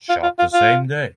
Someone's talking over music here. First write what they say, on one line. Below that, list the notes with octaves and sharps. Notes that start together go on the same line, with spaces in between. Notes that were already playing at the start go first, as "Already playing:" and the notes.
Shot the same day.
F4
F4
F4
F4